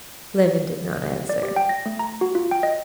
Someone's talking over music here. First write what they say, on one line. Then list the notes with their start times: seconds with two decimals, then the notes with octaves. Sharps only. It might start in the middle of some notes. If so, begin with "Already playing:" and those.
Levin did not answer.
1.29 D5
1.43 G4
1.56 G5
1.69 A#6
1.86 A3
1.99 A#5
2.21 F#4
2.35 F4
2.51 G5
2.63 D#5